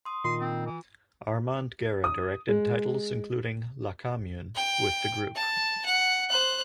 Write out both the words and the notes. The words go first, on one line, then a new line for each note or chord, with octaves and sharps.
Armand Guerra directed titles including "La Commune" with the group.
C6 D#6
A#2 D#3 F4 C6
C4
E3
D#6
G#3
G5
A5
F#5
C5 F#6